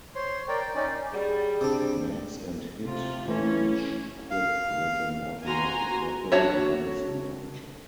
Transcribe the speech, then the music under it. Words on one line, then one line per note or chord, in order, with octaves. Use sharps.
Max and Hit are each equipped with an automatic weapon and a missile launcher.
C5 C#5 C6
A#4 C#5 D5 G5
G5
C#4 D#4 D5
G3 G#4
C3 D4
C3 F4
E3 A3 C#4
F5
F#4 G#5 A#5 C6
D4 F#4 C#5 E5